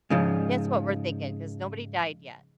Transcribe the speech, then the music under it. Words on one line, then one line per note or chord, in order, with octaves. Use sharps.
That's what we're thinking 'cause nobody died yet.
G#2 C#3 F3